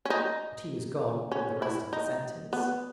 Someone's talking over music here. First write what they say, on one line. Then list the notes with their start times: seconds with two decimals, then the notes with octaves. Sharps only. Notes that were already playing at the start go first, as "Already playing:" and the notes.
But he was gone with the rest of the sentence.
0.05 C#4
0.10 D#4
1.31 C#4
1.62 E4
1.93 D#4
2.53 B3